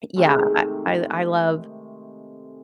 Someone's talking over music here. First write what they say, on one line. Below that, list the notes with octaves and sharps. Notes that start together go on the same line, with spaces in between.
yeah, I I I love
C3 D#3 G#3 A3